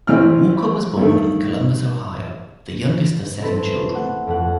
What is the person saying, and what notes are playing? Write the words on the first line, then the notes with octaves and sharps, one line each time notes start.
Walker was born in Columbus, Ohio, the youngest of seven children.
A1 E3 C4 F6
G2 D#3 A3
A3 C4 E4 A4 B4
A3 F#5
F2 A3 F#5